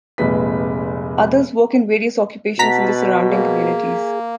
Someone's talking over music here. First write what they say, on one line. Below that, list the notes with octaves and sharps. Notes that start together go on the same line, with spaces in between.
Others work in various occupations in the surrounding communities.
F1 A#2 G#3 B4 B6
B2 F#5 A5 A#5 B6
A#3 G#4